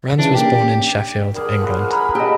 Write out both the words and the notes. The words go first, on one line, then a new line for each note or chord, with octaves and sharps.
Rands was born in Sheffield, England.
C#3 E3 D4
A#3 C#4 D4 G4
D3 G3 G#4 A#4
F3 B3 F#5
G#5 A#5 B5
C#3 B3 G4 A4 D#5